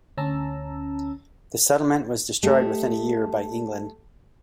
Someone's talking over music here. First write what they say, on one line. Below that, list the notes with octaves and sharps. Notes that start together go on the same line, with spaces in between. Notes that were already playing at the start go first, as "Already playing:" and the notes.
The settlement was destroyed within a year by England.
D2 C#4 A5 A#5 E6
A3 G4 D#5